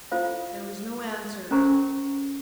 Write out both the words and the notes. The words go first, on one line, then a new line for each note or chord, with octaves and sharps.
There was no answer.
E4 F4 A4 C5 F5
C#4 A4 A#4 C5 A#5 C#6